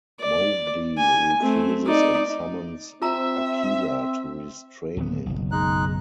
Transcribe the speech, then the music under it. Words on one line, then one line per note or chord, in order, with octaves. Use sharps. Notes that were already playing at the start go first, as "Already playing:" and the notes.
Mowgli refuses, and summons Akela to restrain him.
D5
G#5
A3 C4
D#4 D5
C4 F4 E5 A#5 E6
D1 D#2 B3
F#1 B1
G#3 D#4 F#6